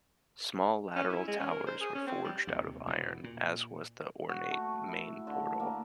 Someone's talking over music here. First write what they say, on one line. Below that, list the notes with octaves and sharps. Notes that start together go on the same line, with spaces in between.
Small lateral towers were forged out of iron, as was the ornate main portal.
C#4
E4
G#3
C#4
A#4
C5
G#4
C#4
C4
G3
D#2 C3
E2 B2
A#2
F#4
A3
E4
D3
A#3